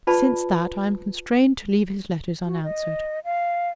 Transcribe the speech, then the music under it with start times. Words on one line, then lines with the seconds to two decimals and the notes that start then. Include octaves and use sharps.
Since that I am constrained to leave his letters unanswered.
0.07 F4 B4 D5 A5 B5 C#6
2.46 F#4
2.64 D#5
3.25 F5